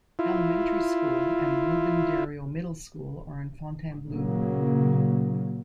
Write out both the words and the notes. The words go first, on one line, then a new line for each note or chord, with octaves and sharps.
Elementary School, and Ruben Dario Middle School are in Fontainebleau.
E4 F4
A#2 C#3 F#3 A#3